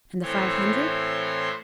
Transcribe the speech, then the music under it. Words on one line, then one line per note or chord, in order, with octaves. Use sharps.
"And the five hundred?"
A2 E3 C4 C5 C#5 C6